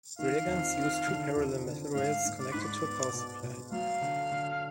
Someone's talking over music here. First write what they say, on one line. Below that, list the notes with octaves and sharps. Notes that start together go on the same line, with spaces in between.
Railguns use two parallel metal rails connected to a power supply.
D#3 F5
F2
D#3
D3
F2
D3
G#2 F5
G#2
D5
G#2 B4
D5
B3
B2
B2
F#3 F5
D3
D3